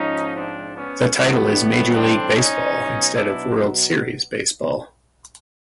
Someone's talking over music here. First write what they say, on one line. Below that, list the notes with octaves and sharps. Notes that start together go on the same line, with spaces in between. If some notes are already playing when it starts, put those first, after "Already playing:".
The title is Major League Baseball instead of World Series Baseball.
Already playing: G#2 F3 C#4 D#4
C4 D4
B3 C#4
A2 E3 G3 A3 B3
C4 D4
C#4 D#4
B2 F#3
D4 E4